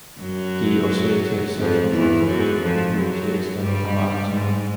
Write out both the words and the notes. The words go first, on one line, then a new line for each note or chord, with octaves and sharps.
The oscillator itself controls the phase with which the external power acts on it.
F#2 F#3
F2 F3
E2 E3
F#2 F#3
F2 F3
F#2 F#3
G2 G3
G#2 G#3